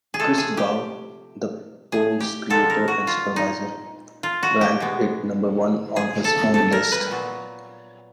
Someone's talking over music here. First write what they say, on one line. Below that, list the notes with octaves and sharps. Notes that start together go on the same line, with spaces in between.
Christgau, the poll's creator and supervisor, ranked it number one on his own list.
G#4
C3 F3 A3 A4
G#4
G4
G#4
G4
A#2 F3 G#3 B3 A4
A#4
F#4
F4
D#4
F4
F#4
G4
B2 G#3 B3
G#4
A4
A4
A#4
B4
A#2 F#3 B3